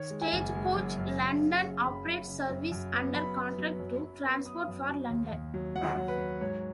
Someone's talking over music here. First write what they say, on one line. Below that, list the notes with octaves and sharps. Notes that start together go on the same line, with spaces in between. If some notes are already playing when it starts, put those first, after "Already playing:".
Stagecoach London operates services under contract to Transport for London.
Already playing: D#3 C#5
G#3
G#5
F#1
G#3
F#2
F#2
C#3
C#3
C#3
F#2 B5
F#2
C#3
F#2
F#2
B3
F#2 B5
B3
F#3
F#2
F#2
B3
B3 D#6
F#2
F#3
D#2
D#2
F#3
F#3 F#5
F#3
B4
F#3
G#2 C#5